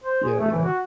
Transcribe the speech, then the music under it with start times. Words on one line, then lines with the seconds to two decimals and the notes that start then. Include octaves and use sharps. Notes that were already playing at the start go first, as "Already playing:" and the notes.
Yeah, yeah.
0.04 C5
0.24 G#4
0.39 A3
0.52 E3
0.65 F#4